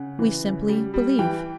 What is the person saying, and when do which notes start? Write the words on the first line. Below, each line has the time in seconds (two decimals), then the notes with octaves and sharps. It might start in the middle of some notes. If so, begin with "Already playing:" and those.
We simply believe.'
Already playing: C#3 F#5
0.19 E3
0.44 C#3
0.69 G3
0.94 G3
1.19 E3 G5